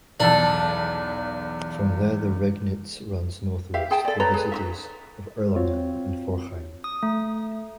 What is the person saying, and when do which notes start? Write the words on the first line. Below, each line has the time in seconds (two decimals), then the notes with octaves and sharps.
From there the Regnitz runs northwards through the cities of Erlangen and Forchheim.
0.20 B1 E2 D4 A4
3.74 G4 E5 F5
3.91 G#4 G5 A5
4.05 A4 D5
4.20 A4 B4 C#5 A#5
4.34 G#4 B4
4.52 D#4 F#4 E5
5.56 C4 F4 F#4 C#5
6.84 D#6
7.03 A3